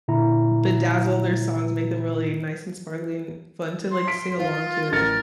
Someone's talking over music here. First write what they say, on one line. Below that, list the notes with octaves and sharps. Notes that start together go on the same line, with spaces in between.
bedazzle their songs, make them really nice, and sparkly, and fun to, like, sing along to.
A#2 D3 E4 A#5
C6
B6 D7
F4 C5 F5
A1 A#4 A6 C#7